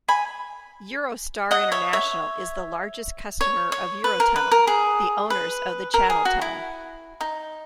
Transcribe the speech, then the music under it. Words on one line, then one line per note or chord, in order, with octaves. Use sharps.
Eurostar International is the largest customer of Eurotunnel, the owners of the Channel Tunnel.
G#5 B5
D#5 F#5
C#5 E5
C#5 E5
C#5
C#5
B4
A#4
B4
A#4
G#4
B4
A#4
G#4
F#4
E4
D#4